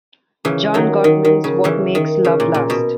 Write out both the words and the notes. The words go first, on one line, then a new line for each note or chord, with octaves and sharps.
John Gottman's What Makes Love Last?
C#3 E3
D#3 F#3
D#3
D#3
C#3
C#3 E3
D#3
C#3
A#2
A#2
B2